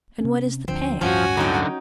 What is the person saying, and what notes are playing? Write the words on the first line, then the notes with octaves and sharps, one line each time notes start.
"And what is the pay?"
C3 C4 C#4
D2 D3 F3 C4
D1 G2 F3 C#4 F#4 G#5
D3 F#3 D#4 G5